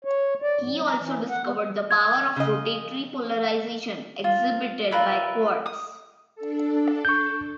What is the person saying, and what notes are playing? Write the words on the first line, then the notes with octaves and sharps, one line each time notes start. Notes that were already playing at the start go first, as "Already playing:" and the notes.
He also discovered the power of rotatory polarization exhibited by quartz.
C#5
D5
G#2
F#3
A#5
E3
F#5
B3
G#6
C#3 D#5
F4
F4 A#4 B4 E5
D#6
D4 A4
C#6 G6